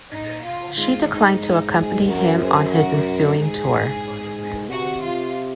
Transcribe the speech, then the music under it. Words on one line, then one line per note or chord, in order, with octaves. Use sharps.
She declined to accompany him on his ensuing tour.
D#4
F4
G#2 F4
D#4
D#4
G#4
F#2 F#4 A#4
G#4 C5
F#4 A#4
G#2 G#4
C3 F#4
F4